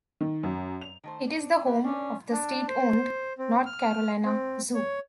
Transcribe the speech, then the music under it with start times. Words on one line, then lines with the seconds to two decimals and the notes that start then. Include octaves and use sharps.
It is the home of the state-owned North Carolina Zoo.
0.21 D#3
0.43 F#2
0.81 F7
1.04 D#3 A3 C5
1.27 D4
1.66 G4 B4 E5
1.84 C#4 D4 B4 D5
2.31 D4
2.68 C5
3.38 C4
3.66 F6
4.25 C4
4.74 C#5